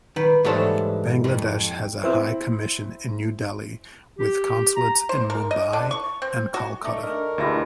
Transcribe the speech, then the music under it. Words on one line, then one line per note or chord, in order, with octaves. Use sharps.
Bangladesh has a high commission in New Delhi with consulates in Mumbai and Kolkata.
D#3 B4
G#2 E3 G3 A4 C5 C#5
F2
C4 E4
G4
A#5
C5
A#4
D#5
D3
C#6
C4
F#4
A3 D#4 F#4 C#5 D5 A#5 C#6
D3 A4 A#4
D2 B2 F3 G#3 E4 G4 C#5 A#6